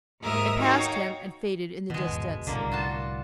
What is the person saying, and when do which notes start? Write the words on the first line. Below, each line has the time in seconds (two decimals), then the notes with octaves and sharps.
It passed him and faded in the distance.
0.20 D#2 G#2 A#4 E5 D#6 F6
0.58 D#4 F#4 C#5 F5 G5
1.90 B2 D#3 G#3
2.07 G1 E2 G#2
2.47 C2 A2 D3 A#3
2.71 F4 F#4 A5